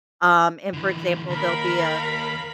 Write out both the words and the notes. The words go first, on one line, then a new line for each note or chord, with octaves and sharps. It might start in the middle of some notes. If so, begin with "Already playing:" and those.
Um, and, for example, there'll be a
D3 E3
D#2 A#4 F5 B5